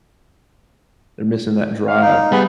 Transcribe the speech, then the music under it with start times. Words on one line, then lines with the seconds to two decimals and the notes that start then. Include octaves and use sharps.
They're missing that drive,
1.88 F5
2.02 D#4
2.32 G3 B3 G#4